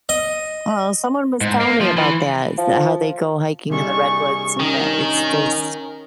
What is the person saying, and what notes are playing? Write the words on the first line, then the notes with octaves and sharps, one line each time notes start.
Well, someone was telling me about that, is that how they go hiking in the Redwoods and that it's just
D#5
G#2
A#3
F3
E3
F3
C3 G3 D4 G#4 C#6
D#3 C#4 A#4